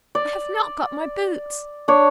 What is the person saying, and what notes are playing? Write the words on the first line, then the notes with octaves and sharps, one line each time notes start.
I have not got my boots!
D5
D4 C#5